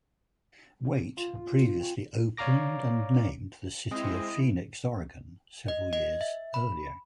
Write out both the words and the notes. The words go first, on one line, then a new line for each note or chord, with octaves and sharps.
Wait previously opened, and named, the city of Phoenix, Oregon several years earlier.
F4
C4 G5 G#5 C#6
C#5 D5 F5 A#5 D6 A#6
G#3 C4 E4 D#5
D#5
D#5
E5
B5